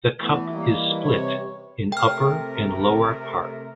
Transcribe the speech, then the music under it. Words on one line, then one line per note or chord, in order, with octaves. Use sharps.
The Cup is split in upper and lower part.
E3 A3 B3
G3 A#3 C#4 G4 D#5
C3 B4 C#5
C3 A3 A#4 G5 F6